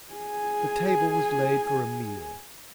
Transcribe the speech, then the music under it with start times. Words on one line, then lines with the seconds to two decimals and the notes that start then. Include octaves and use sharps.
The table was laid for a meal.
0.12 G#4 G#5